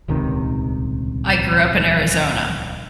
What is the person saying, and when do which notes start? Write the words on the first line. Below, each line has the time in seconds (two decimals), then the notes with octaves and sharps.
I grew up in Arizona.
0.08 D#1 C#2 C3 D#3